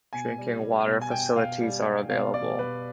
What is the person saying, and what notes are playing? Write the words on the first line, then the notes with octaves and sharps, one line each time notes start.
Drinking water facilities are available.
B2 G#5
G3
G3
B2
G#5
B2 G5
B2 F5
G3
G3
B2 F5
G3 D5
B2 B4